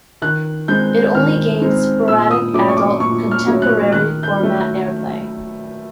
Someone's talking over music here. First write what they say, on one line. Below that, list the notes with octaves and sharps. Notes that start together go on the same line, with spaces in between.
It only gained sporadic Adult Contemporary format airplay.
D#3 F#6
G#3 C4 D#4 G6
D#3 F6
G#3 C4 D#4
A#2 E6
E6
D#6
F#3 A3 C#4 D6
C#6
D6
A#2 C#6
F6
F#3 A3 C#4
F#6
D#3 F#6
G6
F#3 A3